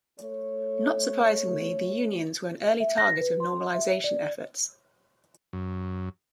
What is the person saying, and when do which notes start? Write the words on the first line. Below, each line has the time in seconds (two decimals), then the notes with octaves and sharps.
Not surprisingly, the unions were an early target of "normalization" efforts.
0.19 A3 C#5
2.80 E5
2.98 A#6
3.21 B4
3.40 C6
3.74 E5
4.04 D5
5.53 F#2